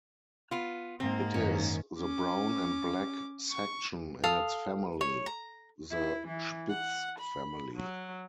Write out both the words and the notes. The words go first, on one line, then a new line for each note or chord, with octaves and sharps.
It is in the "brown and black section" in its family, the Spitz family.
B3 F4
G#2 A#3 C4
F#2 D#3 C#4
C#4 D6
C#6
A4 F5 D#6
C#5
A#5
E4
E3
F#5
B5
F#3